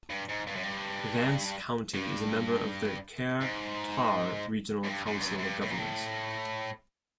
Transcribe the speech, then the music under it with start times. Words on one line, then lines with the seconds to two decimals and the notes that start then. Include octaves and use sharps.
Vance County is a member of the Kerr-Tar Regional Council of Governments.
0.10 G2
0.29 G#2
0.47 G2
0.56 F#2
0.63 G2
1.94 G2
3.41 G#2
4.84 F#2
4.87 G2
5.06 F#2
5.21 G2
5.25 F#2
5.38 F#2
5.43 G2
5.62 A2
5.70 A#2
5.78 A2